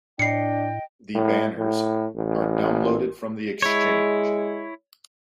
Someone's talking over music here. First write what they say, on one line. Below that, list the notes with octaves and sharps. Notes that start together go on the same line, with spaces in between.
The banners are downloaded from the exchange.
A2 D4 D#5 G5 C7 C#7
A2
A2
A1
G#3 E4 C#5